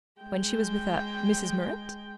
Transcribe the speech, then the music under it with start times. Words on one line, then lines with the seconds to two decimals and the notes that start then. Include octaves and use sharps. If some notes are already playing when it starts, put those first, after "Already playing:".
"When she was with a Mrs. Murrett?"
0.21 G#3 G5